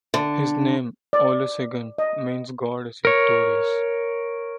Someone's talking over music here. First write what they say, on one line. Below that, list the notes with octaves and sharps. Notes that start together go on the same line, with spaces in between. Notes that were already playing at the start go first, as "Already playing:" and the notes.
His name, Olusegun, means "God is victorious".
D3
D5
D#5
A#4 C#5